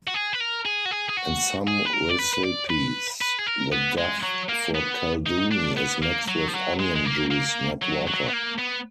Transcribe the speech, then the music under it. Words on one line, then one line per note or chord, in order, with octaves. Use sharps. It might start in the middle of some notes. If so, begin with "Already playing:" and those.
In some recipes the dough for kalduny is mixed with onion juice, not water.
F#4
G#4
B4
A#4
G#4
F#4
G#4
G#4
F#4
G#4
B4
A#4
D5
B4
B4
D5
B4
B4
G#4
A#4
B3
G#3
F#3
A#3
B3
D#4
D4
B3
A#3
F#3
F3
F#3
G#3
G#3
A#3
A#3
F#3
F#3
B3
A#3
B3